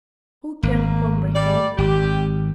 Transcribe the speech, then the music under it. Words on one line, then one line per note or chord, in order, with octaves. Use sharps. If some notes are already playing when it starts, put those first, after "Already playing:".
Who can comprehend it?
G#1 A#3
G3 D5
G#1 G4